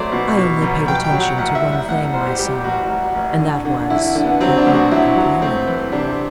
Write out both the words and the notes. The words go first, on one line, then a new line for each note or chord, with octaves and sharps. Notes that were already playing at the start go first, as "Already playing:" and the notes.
"I only paid attention to one thing, my son, and that was, that you were complaining."
Already playing: F#3 A3 C5 D5
B2
B2
B1
B1 G5
G5
F#3
F#5
A1 F#5
E5
G3
F#5
A2 F#5
A1 C5
G4
G3 G4
A1 F#4
A1
A1
D3
D3
D3 E4
D3
B3
F#3 C4
D4
D2
F#4
F#3 E4
F#3
A3 C4
E3
C3 D4